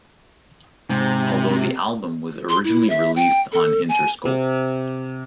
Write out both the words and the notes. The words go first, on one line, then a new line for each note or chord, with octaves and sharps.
Although the album was originally released on Interscope.
G#2 C3
C6
E4
E5
G5
A4
G#5
C3